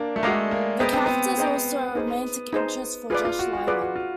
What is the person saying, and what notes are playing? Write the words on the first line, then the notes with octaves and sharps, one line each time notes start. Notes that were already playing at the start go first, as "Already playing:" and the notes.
The character is also a romantic interest for Josh Lyman.
Already playing: A#3 D4
A3
G#3 F#4 A4 D5 F5 A#5
A#3
B3 G#4 C5 D#5 G5 A#5
C4
B3
G#4 C5 D#5 G5 A#5
D#4 G#4 C5
D#4 G#4 C5
F4 G#4 B4 D5
F4
F#4
F#4
F4 G#4 B4 D5
F#4
F4